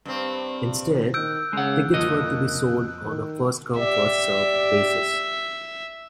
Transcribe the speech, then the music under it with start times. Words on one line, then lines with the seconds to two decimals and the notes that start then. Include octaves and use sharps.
Instead, tickets were to be sold on a first-come-first-served basis.
0.05 G2 C4
1.14 D#3 E6 F#6 G6 D7
1.53 C#3 G#3 F#5
1.93 F2 A#2 D#5
3.05 D#3
3.78 G4 D5 E5